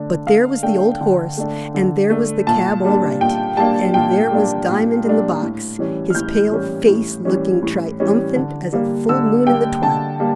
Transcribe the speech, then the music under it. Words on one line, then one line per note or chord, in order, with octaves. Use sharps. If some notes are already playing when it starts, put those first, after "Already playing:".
But there was the old horse, and there was the cab all right, and there was Diamond in the box, his pale face looking triumphant as a full moon in the twilight.
Already playing: D3 A3 D4
D3 F5
A3 D4 G5
D3
A3 D4
D3
A3 D4
A#2 A5
G3 A#3 D4
A#2 G5
G3 A#3 D4 A5
A#2 G5
G3 A#3 D4
A#2
G3 A#3 D4
A2
E3 G3 C#4
F6
A2 G6
E3 G3 C#4
A2
E3 G3 C#4
A2
E3 G3 C#4
D3
G3 A#3
D3 E6
G3 A#3 G5
D3 A5
G3 A#3